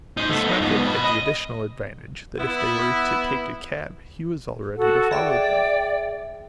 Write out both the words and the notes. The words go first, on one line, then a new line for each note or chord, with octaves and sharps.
His method had the additional advantage that if they were to take a cab he was all ready to follow them.
D#4 C5
A3 B3
D#4 F4
G#2 B3
D#5 B5
D#5
B3 E4
F#4 A4 F#5
G#4 D5 E5 G5